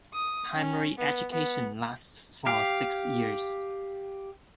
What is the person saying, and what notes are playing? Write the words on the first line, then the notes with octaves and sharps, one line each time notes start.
Primary education lasts for six years.
D#6
C#4
B3
B3
G4 F5